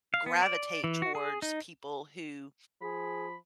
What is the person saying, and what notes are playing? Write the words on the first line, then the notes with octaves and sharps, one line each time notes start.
gravitate towards people who
F5
B3
D5
E3
F#4
G#4
D#4
F3 G#4 B5